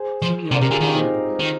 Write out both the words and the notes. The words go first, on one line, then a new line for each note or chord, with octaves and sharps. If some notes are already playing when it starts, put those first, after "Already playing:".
Semyon pondered a bit.
Already playing: G#4 C5
F3
C3 A#4 D5
C3 G4 A#4
D3 F4 G#4
D#3 D#4 G4
C4 D#4
D#3